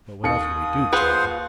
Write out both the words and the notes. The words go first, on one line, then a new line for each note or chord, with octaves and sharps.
"But, what else can we do, Tad?"
D#2 D#6 C#7
F4 G#4 B4 C5 F#5